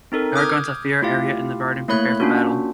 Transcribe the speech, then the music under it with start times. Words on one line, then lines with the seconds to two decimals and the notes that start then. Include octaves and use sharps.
Eragon, Saphira, Arya, and the Varden prepare for battle.
0.12 C4 D#4 A4 A#4
0.36 D6 D#6 F6 G6 G#6
1.02 A3 E4 F4 G4 F5
1.88 A3 A#3 E4 C#5 B5 F#6
2.20 A#3 C#4 D4 F4 F#4